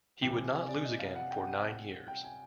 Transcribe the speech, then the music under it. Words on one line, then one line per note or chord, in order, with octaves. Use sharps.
He would not lose again for nine years.
C3 E3 G5
G#5
G#5
D5
D#5
F5
F#5
G5
F#5
G5
G5
G#5